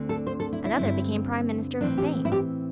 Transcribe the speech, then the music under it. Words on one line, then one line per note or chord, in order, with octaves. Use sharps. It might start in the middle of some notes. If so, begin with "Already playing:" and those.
Another became Prime Minister of Spain.
Already playing: D2 D3 C4
A4
C5
A4
E4
E4
G2 D3 C4
A2 E3 C4 D4
G4
E4
G4